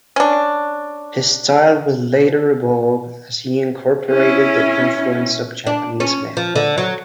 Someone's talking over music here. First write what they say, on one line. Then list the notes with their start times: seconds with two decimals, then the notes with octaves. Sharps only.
His style would later evolve as he incorporated the influence of Japanese manga.
0.16 C#4 D4
4.11 C#4 E4
5.67 D4
6.00 C#4
6.37 F3
6.56 D3
6.78 F#3